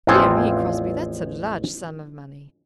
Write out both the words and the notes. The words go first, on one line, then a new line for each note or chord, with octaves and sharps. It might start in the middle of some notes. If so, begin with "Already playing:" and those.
"Dear me, Crosbie; that's a large sum of money."
A1 E2 F3 C4 F4 G#5